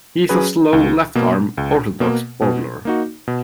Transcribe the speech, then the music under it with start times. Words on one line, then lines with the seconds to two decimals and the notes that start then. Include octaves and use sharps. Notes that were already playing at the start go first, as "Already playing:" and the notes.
He is a slow left-arm orthodox bowler.
0.29 F#3 C#4 G#4 B4
0.73 C#2
1.15 B2 A#3
1.58 C#2
2.00 B2 A#3
2.42 B2
2.85 A#3 D#4 F#4
3.27 B2